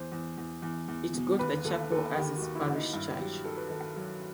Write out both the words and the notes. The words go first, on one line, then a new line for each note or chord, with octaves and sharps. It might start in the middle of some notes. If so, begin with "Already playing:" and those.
It got the Chapel as its parish church.
Already playing: E2 C5
E2
E2
E2
E2
B2
D#2 B4
D#2 A4
D#2 A4
D#3 G4
F#4
D#2
E4
D#2
D#4
G2 E4
F#3 G4
D#3 A4
B4
D#3 A4
F#3